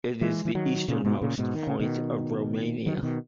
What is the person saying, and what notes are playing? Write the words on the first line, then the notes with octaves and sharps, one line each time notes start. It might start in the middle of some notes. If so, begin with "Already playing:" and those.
It is the easternmost point of Romania.
E3 G#3
E3
D#3 F#3
A#2 C#3
G#2 B2
A#2 C#3
G#2 B2
D#3
C#3
B2 D#3
D#3 F#3
C#3
B2 D#3